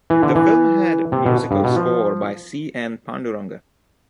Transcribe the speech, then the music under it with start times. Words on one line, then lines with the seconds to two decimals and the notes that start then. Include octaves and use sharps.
The film had musical score by C. N. Panduranga.
0.10 E3
0.23 D3
0.35 E3
1.12 C3
1.26 B2
1.51 G2
1.64 B2
1.76 F3